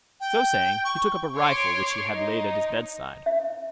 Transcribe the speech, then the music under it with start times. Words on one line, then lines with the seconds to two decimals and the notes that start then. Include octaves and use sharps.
So saying he took up a rifle which he had laid at his bedside.
0.20 G5
0.84 C#6
1.36 C#5 C6 D6
2.13 D#4
3.26 E5